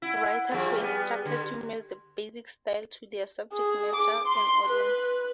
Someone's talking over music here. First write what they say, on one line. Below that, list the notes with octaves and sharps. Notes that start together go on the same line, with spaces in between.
Writers were instructed to match the basic style to their subject matter and audience.
E4 F#5
G2 F3 G#4
G3 B3
D3 C6
G#4
D6
C6
B4